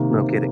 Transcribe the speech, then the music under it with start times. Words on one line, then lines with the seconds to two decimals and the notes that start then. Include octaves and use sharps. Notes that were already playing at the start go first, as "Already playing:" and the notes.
No kidding.
Already playing: C3 D#3 A#3
0.18 C3